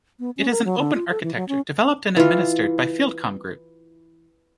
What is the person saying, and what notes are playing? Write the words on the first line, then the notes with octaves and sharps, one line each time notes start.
It is an open architecture, developed and administered by FieldComm Group.
B3
C#4
A#4
F#3
D3
F4
A4
E3
F#3
C#4
E3 F4